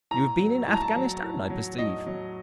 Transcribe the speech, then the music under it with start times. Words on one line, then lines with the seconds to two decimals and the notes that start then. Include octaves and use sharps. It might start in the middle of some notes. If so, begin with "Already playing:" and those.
"You have been in Afghanistan, I perceive."
0.11 A2 A#5
0.39 F#3
0.67 A2 A5
0.74 A#5
0.82 A5
0.95 F#3
1.22 A2
1.50 F#3
1.78 A2 D#5
2.06 F#3